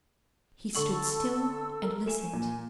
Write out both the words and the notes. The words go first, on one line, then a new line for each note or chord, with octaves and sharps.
He stood still and listened.
D3 A4 C#6 E6 F#7
A#4
A3 G#5 E7
A#2